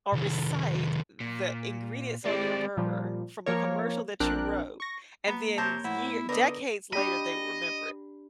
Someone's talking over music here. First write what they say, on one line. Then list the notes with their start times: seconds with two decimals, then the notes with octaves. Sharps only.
or recite the ingredients on your burger from a commercial that you wrote and then year decades later, they will remember it.
0.13 C2 D#3
1.20 A#2
2.25 G#3 C4 E4 G4 D5
2.77 A#2 F3 G3
3.46 F3 A#3 A#4 C#5
4.20 A#1 C4 D4 A#4 G5 F#6
4.80 C#6 A#6
5.27 A#3 B3
5.58 C3 A#4 C5 C#5 A5
5.84 A2 E4 F#5
6.06 B3
6.29 D3 A#4 B4 D#5
6.93 D4 G4 D#5 B5